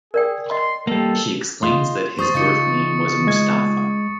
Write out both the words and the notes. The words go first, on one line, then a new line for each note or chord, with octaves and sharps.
He explains that his birth name was Mustafa.
G#4 A#4 D5 G5
D#5 C6
G3 A#3 A4
D#4 F4 G#4 C6
C5 C#6 D#6 A6
C#3 D#4 F4 A6 C#7
G#3 G#6